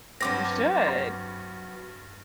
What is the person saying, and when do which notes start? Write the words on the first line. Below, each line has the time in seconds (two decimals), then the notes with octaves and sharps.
You should.
0.21 G2 F#3 B3 C4 D6 A#6